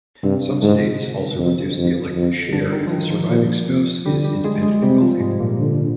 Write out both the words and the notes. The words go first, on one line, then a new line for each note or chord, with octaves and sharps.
Some states also reduce the elective share if the surviving spouse is independently wealthy.
G2 C3
G#2 D3
F2
F2
F2
G2 D3
D#3
F3
D#3
F3
A#2
C3
D3 G3
G3
G#3
G#3
C3 G3
F3
G#2
G#2
A#2
D3